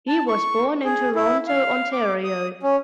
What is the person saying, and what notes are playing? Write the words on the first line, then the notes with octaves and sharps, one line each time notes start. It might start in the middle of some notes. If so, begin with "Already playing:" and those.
He was born in Toronto, Ontario.
A5
C#6
G#4
E4
F5
D6
D#6
C#4